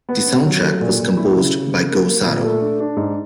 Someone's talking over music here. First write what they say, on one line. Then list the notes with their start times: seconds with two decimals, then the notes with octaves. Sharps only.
The soundtrack was composed by Go Sato.
0.09 B3
0.27 C#4
0.45 F#3
0.63 A3
0.81 A#2
1.00 A#2
1.17 E4
1.35 C#3
1.53 C#3
1.72 C#3
1.89 A#3
2.07 A#3
2.25 A#2
2.44 A3
2.61 D4
2.80 D4
2.97 G#2